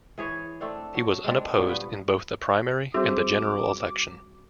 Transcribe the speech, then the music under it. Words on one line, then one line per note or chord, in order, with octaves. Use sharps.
He was unopposed in both the primary and the general election.
E3 G#4 C#5
A3 C4 D4
F#3
G#3 C4 D4
G2 A#2 B3
B4
G3 C4 F#4 G#4 C5 E5 D6